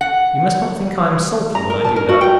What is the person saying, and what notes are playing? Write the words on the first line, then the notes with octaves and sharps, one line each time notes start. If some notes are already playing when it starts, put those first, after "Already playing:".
You must not think I am sulky when I do that.
F#5
A#5
A#4
A5
A#4
F#4
G5